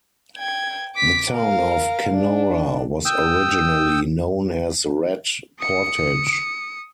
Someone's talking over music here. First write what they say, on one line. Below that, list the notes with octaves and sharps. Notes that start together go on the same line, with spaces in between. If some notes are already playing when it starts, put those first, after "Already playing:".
The town of Kenora was originally known as Rat Portage.
G5 G#6
D6 B6
A#4 F5
D4
G5 D#6 E6
D#6 C#7